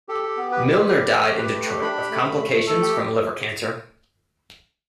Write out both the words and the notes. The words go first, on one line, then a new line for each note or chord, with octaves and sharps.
Milner died in Detroit of complications from liver cancer.
G4 A4
G4
B3
G4 B4
G4
G4
G4
A3
G4
G4 B4
A3
G4
D4 B5
G4
A3
A3
A3
A3
A3 A4
G4